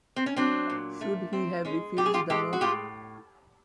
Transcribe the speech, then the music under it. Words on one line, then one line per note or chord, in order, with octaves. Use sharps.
Should he have refused the note?
C4
C#4
F#3 C4 D4
A#2
A3
C4
G#3 C#4
A2 G4
G#4
F4 G4
G#3 G4 A4
F#4
A2 F4 G4